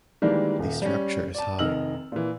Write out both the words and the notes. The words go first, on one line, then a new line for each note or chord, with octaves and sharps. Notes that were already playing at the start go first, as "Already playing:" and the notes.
The structure is high.
D#3 E3 G3 G#3 A#3 D4
D#1
G3 C#4
D5 A5
F1 D#3 D#5 E6 F6 F#7
A#2 E3